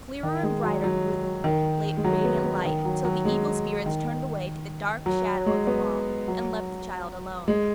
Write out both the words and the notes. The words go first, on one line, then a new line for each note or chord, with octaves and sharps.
Clearer and brighter grew the radiant light, till the evil spirits turned away to the dark shadow of the wall, and left the child alone.
D#3
G#3
F#3
F#3
D#3
G#3
F#3
B3
B3
D#3
F#3
F#3
G#3
D#3
F#3
G#3
B3
F#3
G#3